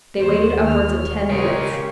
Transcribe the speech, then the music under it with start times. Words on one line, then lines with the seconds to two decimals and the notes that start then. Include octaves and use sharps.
They waited upwards of ten minutes.
0.20 D#2 C5 C#5
0.65 F6
1.30 C#3 G#3 G4 A#4 C#5